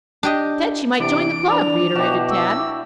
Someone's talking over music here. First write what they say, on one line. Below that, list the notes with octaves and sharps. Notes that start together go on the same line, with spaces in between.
"I said she might join the club," reiterated Tad.
D4 G4 D#5
C3 E3 D4 D7
D4 D5 F7
B2 D4 E4 F#4 G4
E6